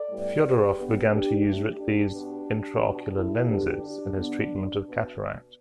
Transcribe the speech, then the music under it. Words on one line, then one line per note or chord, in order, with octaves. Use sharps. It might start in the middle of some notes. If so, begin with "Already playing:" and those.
Fyodorov began to use Ridley's intraocular lenses in his treatment of cataract.
Already playing: A4 D5
A2 G3 B3
G4 B4
D3 B3
D4 G4
A2 A3 D4 G4
D4 G4
B2 B3
B2 B3
E4 A4
D3 B3 D4 G4
D4
D3 B3
B2 B3